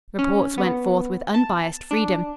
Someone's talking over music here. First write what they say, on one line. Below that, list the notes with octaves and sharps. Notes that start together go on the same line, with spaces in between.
Reports went forth with unbiased freedom.
C#4
B3
A5
D4